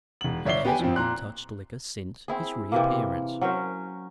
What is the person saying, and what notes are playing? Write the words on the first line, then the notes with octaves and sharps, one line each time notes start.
He has not touched liquor since his reappearance.
E1 F#7
G1 C#5 D5 E5 C7 G7
B3 G4 G5 G#5
F2 F3 C4
A#2 A#5 C6 F#6
C4 E4 G#4
C3 E3 A#3
F#3 C#4 A#4 C5